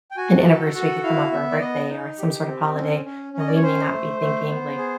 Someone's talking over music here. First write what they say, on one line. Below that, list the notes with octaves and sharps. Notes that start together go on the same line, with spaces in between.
an anniversary could come up or a birthday or some sort of holiday, and we may not be thinking, like,
G5
F#4 G#5
A5
A4
F#4
F#5
E4 F5
B3 E5
D5
B3 D#5
D#4
G4
C4
C#4
C#4
C#4
D#5
D5
C#5
C#4 C5
A3
A3
B3
G#4